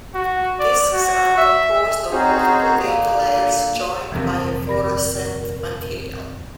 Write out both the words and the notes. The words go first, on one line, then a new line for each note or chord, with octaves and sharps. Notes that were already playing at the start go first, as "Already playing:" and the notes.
Discs are composed of multiple data layers joined by a fluorescent material.
F#4
D5
F#4
E5
C4 C#4 D#4 F#4 G#4 C5
A#2 D3 A#3
D#1 F2 C3 E3 F3 A#4
D5 B5 A#6